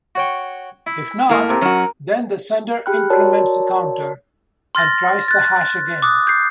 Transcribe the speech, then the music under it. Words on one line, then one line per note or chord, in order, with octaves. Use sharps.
If not, then the sender increments the counter and tries the hash again.
F#4 C#5 G5
E4
A2 A#3
C3 A#4
F#2 C#4 F#4
G4 G#4 G5 B5 F6 F#6
F#4 A#4 C#5 D5 A5
C6 F6 A6 A#6
F#6 A6
D6 D#6 F#6
G6 C7